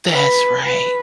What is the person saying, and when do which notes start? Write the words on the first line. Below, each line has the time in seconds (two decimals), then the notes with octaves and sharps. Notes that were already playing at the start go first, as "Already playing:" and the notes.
That's right.
0.13 B4
0.63 B4